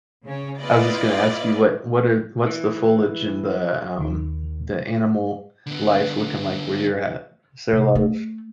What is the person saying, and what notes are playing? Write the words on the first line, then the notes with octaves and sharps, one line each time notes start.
I was just gonna ask you what what are what's the foliage in the, um, the animal life looking like where you're at? Is there a lot of
C#3 C#4
B3 E4 F4 B4 D5 D#5
E3
D#2 D#3
D3 B3
C3
A3